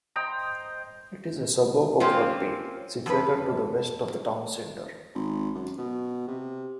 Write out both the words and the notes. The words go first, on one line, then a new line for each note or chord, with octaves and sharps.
It is a suburb of Rugby, situated to the west of the town centre.
C5 D#5 G5 A#5
A#3 C4 C#4 F4
F2 B4
G#1
F#2
B2
C3